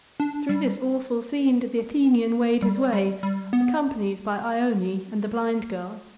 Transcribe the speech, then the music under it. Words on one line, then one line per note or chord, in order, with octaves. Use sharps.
Through this awful scene did the Athenian wade his way, accompanied by Ione and the blind girl.
D4
G3
G3
G3
G3
B3